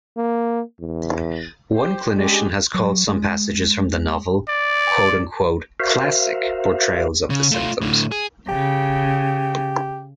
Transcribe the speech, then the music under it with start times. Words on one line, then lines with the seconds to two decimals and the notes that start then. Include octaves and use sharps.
One clinician has called some passages from the novel "classic" portrayals of the symptoms.
0.17 A#3
0.80 E2
1.76 G4 C5
2.16 G#3 C#4 D4 G4 G#4
2.74 F#3
3.09 G#3
4.48 D5
5.80 F#4 A#4 C5 E5 F5
7.30 C#3
7.52 A3 F4
7.81 A2 D3
8.12 G#4
8.49 C#3 G4